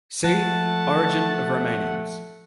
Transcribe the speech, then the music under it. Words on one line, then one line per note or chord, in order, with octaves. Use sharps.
See: Origin of Romanians.
F3 A3 F#5 A5